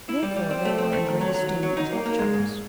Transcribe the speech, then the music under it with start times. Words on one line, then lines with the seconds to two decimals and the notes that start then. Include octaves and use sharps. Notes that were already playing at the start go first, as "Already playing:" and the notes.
Therefore they were in great esteem as love charms.
0.09 E4
0.23 G3
0.37 G3
0.51 C4
0.65 A3
0.78 C4
0.92 A3
1.07 D#3
1.21 F#3
1.34 F#3
1.49 F#3
1.63 F#3
1.77 D#4
1.92 A#3
2.06 A#3
2.19 G#3
2.33 G#2